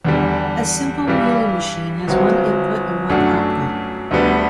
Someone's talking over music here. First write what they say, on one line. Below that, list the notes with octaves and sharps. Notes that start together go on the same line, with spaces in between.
A simple Mealy machine has one input and one output.
E2 D3 G3
G2 E3 G3
G1 G2 F#3 C4 F#4
F#2 F#3 A3 D4 F#4
D2 D3 G3 B3